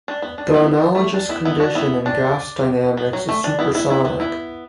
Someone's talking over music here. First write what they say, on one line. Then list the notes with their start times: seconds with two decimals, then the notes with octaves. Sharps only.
The analogous condition in gas dynamics is supersonic.
0.08 D4
0.22 B3
0.38 D4
0.54 B3 E4
0.74 D4
0.95 A3
1.14 D4
1.29 B3 E4
1.45 B3 E4
1.60 D4 F#4
1.75 B3 E4
2.06 D4
2.97 B3
3.13 F#3
3.29 A3
3.44 D4
3.59 B3 E4
3.75 B3 E4
3.89 B3 E4
4.05 B3 E4
4.20 B3 E4